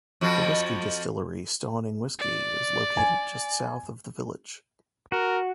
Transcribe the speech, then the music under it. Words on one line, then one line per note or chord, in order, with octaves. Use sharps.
The whisky distillery Stauning Whisky is located just south of the village.
F2 F3 F#4
D5
G#5
F#4 A#4